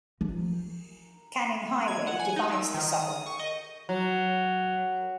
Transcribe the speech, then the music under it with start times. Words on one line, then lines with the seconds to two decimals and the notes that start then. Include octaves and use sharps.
Canning Highway divides the suburb.
0.21 F3
1.88 G#6
2.07 F#5
2.19 G#5
2.36 D#4
2.52 E6
2.74 D#3
2.92 D#6
3.26 C#6
3.39 D#5
3.89 F#3